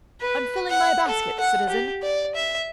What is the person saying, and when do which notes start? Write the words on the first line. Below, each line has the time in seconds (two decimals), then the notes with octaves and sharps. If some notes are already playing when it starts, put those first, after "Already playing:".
"I'm filling my basket, citizen."
0.21 B4
0.70 F#5
1.08 A4
1.40 F#5
1.69 G4
2.02 D5
2.35 E5